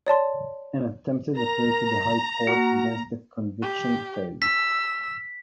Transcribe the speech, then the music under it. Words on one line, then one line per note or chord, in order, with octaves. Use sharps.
An attempted appeal to the High Court against the conviction failed.
C#5 D5 A5 C6
A#4 A#5
A#3 F#4
G4
E6 B6